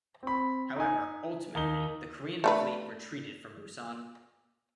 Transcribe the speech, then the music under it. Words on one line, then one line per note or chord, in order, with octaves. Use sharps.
However, ultimately, the Korean fleet retreated from Busan.
C4 B5
D#4 G#5
D#2 D#4 G7
A3 D4 B4